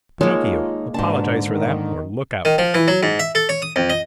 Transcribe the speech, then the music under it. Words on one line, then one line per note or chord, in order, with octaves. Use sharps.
"Pinocchio, apologize for that, or look out!"
D#2 G#3 A#3 D#4 F4 C#5 A5
G#2 B2 D3 D4 A5
D#3
D#3
F3
E3
F#3
G#2
E5
A4
C#5
D#6
F2
D#5